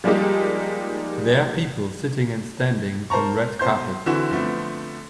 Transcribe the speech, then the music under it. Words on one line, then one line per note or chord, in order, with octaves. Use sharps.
There people sitting and standing on red carpet.
F3 G3 G#3 A#3 D#4 G4
A#4 C5 A5 A#5 C#6
B1 C5 C6 G6
D3 E3 C4 E4 F#4 E7
D3 F3 A3 B3 C4